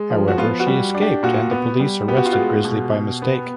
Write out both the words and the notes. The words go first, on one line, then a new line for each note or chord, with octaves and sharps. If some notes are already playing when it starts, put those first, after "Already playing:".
However, she escaped and the police arrested Grizzly by mistake.
Already playing: G#3
F3
F#4
B3 F4
F#4
G3
D4
G4
A#2 F#4
B3
G3
B3 G4
F#4
F4
G#3 F#4
B2
B2
B3